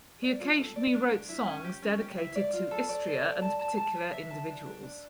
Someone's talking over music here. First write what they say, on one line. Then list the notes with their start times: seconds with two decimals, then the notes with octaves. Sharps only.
He occasionally wrote songs dedicated to Istria and particular individuals.
0.23 D5
0.40 F4
0.58 A4
0.76 D5
0.93 D4
1.11 D4
1.29 E4
1.47 C#4
1.64 G4
1.82 C#4
2.00 G4
2.18 E4
2.36 D5
2.53 F4
2.71 A4
2.89 D5
3.06 A4
3.24 D5
3.42 A5
3.59 A5
3.77 A5
3.95 B4
4.13 E5
4.30 A5
4.48 D4
4.66 D4
4.83 D4